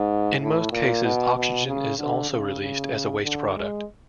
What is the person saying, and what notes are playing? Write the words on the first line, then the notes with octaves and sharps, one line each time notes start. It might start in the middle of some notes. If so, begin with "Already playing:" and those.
In most cases, oxygen is also released as a waste product.
Already playing: G#2
A2
A#2
B2
B2
C#3
D3
C#3
C#3
D3
G#3